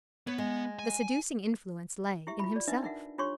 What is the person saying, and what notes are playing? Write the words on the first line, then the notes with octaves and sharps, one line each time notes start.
The seducing influence lay in himself.
B3 C#5
G#3
G#5
E4 G4 E5
F4 B5
D5
D4 D#4 B4 D#5 E5
D#4 A#4 E5 F#5
D4 F4 G4 C#5 C6 C#6